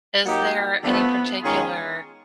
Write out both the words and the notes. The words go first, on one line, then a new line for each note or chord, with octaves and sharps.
Is there any particular
F#3 A#3 D#4 G4
D3 F3 A3 B3
D#3 G#3 C#4 F4 G#4